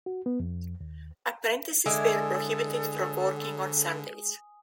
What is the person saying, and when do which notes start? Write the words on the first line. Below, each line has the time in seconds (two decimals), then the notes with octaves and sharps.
Apprentices were prohibited from working on Sundays.
0.06 F#4
0.26 B3
0.40 F2
0.81 D#2
1.86 D3 G#3 E4 A4 D5 G#5 D#6